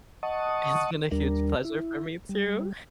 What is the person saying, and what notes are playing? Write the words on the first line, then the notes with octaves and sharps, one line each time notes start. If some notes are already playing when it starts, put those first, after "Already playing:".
It’s been a huge pleasure for me too.
D#5 F#5 A5 C#6 D#6
D#2 G3 D4 A#4
E4
G3